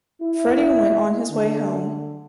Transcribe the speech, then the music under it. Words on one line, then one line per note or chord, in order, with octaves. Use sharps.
Freddie went on his way home.
E4
D3